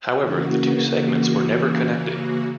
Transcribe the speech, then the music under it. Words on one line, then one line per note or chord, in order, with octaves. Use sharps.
However, the two segments were never connected.
C#3 E3 A#3 F#4